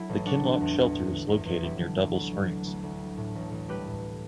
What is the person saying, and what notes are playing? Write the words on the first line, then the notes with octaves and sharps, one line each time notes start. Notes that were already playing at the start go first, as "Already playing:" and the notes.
The Kinlock Shelter is located near Double Springs.
Already playing: F#3 E4 A4
A1
G3 D4 F#4
D3
E2
E2
G3
D3
E2
E2
F#3 E4 G4
D3
D2
D2
F#3
D3
D2
D2
G3
A2
A1
A1
G3 G4 B4
A2